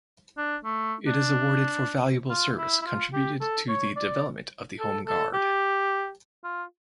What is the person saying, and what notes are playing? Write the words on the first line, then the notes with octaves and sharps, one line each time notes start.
It is awarded for valuable service contributed to the development of the Home Guard.
D4
A3
D4
F4
E4
E4
F4
G4
A4
C#5
D5
A4
A4
G4
F4